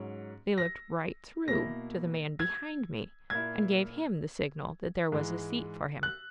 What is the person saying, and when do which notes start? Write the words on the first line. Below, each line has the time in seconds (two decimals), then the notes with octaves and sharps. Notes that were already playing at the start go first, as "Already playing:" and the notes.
They looked right through to the man behind me, and gave him the signal that there was a seat for him.
Already playing: G#2 F#3 C#4
0.58 A#6
1.47 B2 A#3 E4 A#6
2.40 G#6
3.30 A#2 A#3 E4 G#6
5.12 G#2 E3 G#3
6.03 F#6